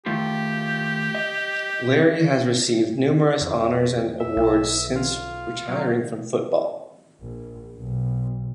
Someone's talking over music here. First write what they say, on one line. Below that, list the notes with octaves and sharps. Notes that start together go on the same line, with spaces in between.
Lary has received numerous honors and awards since retiring from football.
D#3 A3 F4 G4
D#5
F2
E5
B1
F4
F#3
A#1
B1